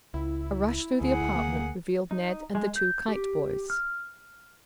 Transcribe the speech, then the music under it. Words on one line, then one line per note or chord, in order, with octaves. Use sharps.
A rush through the apartment revealed Ned and the two kite boys.
C#2 E4
D2 G#4 F#5
A#3
D#4
G#3
G6
G4
F6